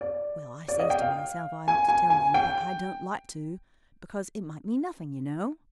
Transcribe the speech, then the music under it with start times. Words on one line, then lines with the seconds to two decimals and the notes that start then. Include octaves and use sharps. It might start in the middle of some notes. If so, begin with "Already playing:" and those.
"Well, I says to myself I ought to tell you, but I don't like to because it might be nothing, you know!"
0.01 D5
0.68 D5
0.80 D#5
0.90 G5
1.00 F5
1.68 G#5
1.88 G#5
2.10 G#5
2.34 G5